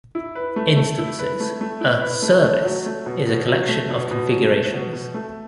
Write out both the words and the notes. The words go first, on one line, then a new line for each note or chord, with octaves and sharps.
Instances: a "service" is a collection of configurations.
E4
B4
A3
A3
E4
B4
A3
A3
E4
B4
A3
A3
F#3
A3
B2
B2
F#3
A3
B2
B2
F#3
A3
B2
B2
A3